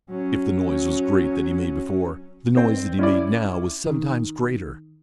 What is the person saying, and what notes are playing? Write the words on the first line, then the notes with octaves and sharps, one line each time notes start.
If the noise was great that he made before, the noise that he made now was seven times greater.
F#3 C#4
C4 C5
C#4 E4 D5
D#3